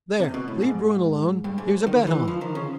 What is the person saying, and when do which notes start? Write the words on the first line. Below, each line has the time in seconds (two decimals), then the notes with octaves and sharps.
"There, leave Bruin alone; here's a bet on."
0.20 C3
0.34 B2
0.48 A2
0.62 G#2
1.44 G2
1.58 G#2
1.87 D#3
2.07 E3
2.28 F3
2.41 D#3
2.55 C#3